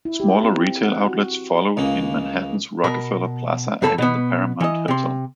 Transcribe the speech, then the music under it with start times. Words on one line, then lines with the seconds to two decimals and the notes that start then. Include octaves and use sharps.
Smaller retail outlets followed in Manhattan's Rockefeller Plaza and in the Paramount Hotel.
0.05 E4
0.20 G4
0.44 C4
0.84 F#5
1.06 F#4
1.77 C#2 C#3 A#3
2.84 B2 A#4 B5
3.82 F#2 A#3 A4 A#5 B5
3.98 B2 B3
4.60 E3 D#5
4.88 C3 C6